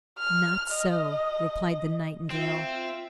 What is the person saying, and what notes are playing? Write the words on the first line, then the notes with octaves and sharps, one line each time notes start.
"Not so," replied the Nightingale.
F6
D#5
C4 F4 E5